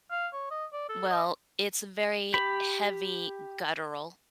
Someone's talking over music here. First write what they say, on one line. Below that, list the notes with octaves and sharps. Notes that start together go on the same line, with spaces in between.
Well, it's very heavy, guttural,
F5
C#5
D#5
D5
A4
D#5
G4 B5